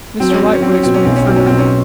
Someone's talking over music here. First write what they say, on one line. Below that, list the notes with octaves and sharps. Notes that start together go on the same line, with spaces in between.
Mr Lightwood explained further.
F#3 C4
C#4
F#3 C4
C#4
F#3 C4
C#4
B2 C4
C#4
B1 C4
C#4
F#3 C4
C#4
B2 C4
C#4